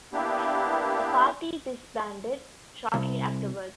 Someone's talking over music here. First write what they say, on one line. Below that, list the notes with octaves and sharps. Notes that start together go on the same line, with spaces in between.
The party disbanded shortly afterwards.
A#3 B3 D4 E4 G4
C2